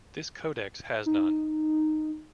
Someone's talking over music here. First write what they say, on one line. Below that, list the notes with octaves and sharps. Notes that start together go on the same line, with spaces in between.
This codex has none.
D#4